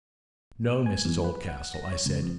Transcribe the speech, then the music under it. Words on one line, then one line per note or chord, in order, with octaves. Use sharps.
"No, Mrs Oldcastle," I said.
G#5
E2
B4
F#5
A#6
C#5
C#2
F2